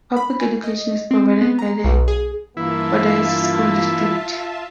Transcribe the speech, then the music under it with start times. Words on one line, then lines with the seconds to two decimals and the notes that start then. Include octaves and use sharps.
Public education is provided by the Fordyce School District.
0.16 B5
0.40 G#5
0.64 D#5
1.11 C4
1.41 B3
1.59 A#5
1.84 B1
2.08 G#4
2.57 G2 E3 A#3 E4 F4 E5 A5